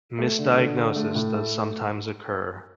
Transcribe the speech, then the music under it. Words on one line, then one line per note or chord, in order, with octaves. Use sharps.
Misdiagnosis does sometimes occur.
A3
D3
D3
D3
A3
A2
A3